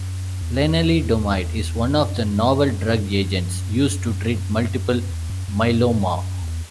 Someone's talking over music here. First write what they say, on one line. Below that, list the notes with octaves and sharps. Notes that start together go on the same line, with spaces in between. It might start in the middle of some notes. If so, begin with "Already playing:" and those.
Lenalidomide is one of the novel drug agents used to treat multiple myeloma.
Already playing: F#2
E2
F#2
F#2
E2
F#2
F#2
E2